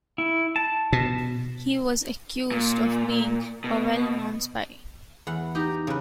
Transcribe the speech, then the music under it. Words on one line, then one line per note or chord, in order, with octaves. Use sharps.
He was accused of being "a well known spy".
E4
A5
B2
A#2
B2
E2 F#5
D#4 G4 A#5
C#3 B4